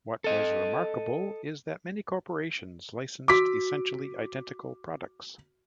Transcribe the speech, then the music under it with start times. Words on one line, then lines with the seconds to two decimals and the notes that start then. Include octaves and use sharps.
What was remarkable is that many corporations licensed essentially identical products.
0.24 A4 D#5
3.28 F#4 D6 E6 B6